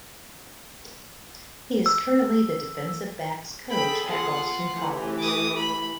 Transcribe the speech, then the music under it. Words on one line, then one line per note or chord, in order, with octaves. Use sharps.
He is currently the defensive backs coach at Boston College.
E6
B3 G#4 A4 G5 B5
F4 F#5
E3 A3 G4
D6 D#6
B5